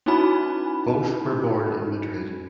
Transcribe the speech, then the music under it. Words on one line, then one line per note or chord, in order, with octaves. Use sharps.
Both were born in Madrid.
C#4 D#4 E4 F#4 G#5 B5